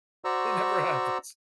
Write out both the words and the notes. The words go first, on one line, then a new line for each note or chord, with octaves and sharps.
it never happens.
F#4 C5 D5 A#5 C#6 E6